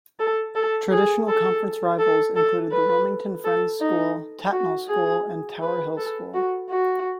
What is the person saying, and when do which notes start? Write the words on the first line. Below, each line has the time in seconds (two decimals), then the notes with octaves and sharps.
Traditional conference rivals include the Wilmington Friends School, Tatnall School, and Tower Hill School.
0.19 A4
0.55 A4
0.91 G#4
1.28 A4
1.99 A4
2.36 A4
2.72 B4
3.44 A4
3.81 D#4
4.52 F#4
4.88 G#4
5.62 B4
5.98 A4
6.34 F#4
6.70 F#4